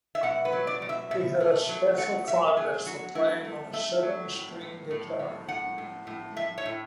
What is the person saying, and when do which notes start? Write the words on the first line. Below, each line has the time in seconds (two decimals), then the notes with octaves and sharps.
He had a special fondness for playing on a seven string guitar.
0.15 E5
0.23 B2 F#5
0.45 B4
0.53 F#3
0.67 D5
0.82 B2
0.89 E5
1.11 B2 E5
1.40 A3
1.69 F#3
1.98 A3 F#5
2.27 B2 E5
2.57 F#3 G#4
2.86 F#3 F#4
3.15 A3 E4
3.44 A3
3.73 A3 E5
4.03 F#3
4.31 A2
4.61 A2
4.91 A2
5.19 A2
5.49 A2 F#5
5.78 A2
6.07 A2
6.36 A2 E5
6.58 C#5
6.66 A2